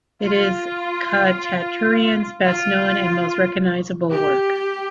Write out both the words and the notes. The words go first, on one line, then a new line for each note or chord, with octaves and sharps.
It is Khachaturian's best known and most recognizable work.
F4
F4
G4